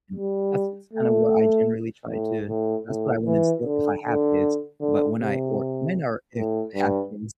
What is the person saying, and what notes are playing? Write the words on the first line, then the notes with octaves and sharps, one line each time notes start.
and that's that's kind of what I generally try to that's what I wanna instill, if I have kids, but when I or when or if I have kids,
G3
A3
A2
A2
A2
E3
D3
D3
D3
C3
A2
G2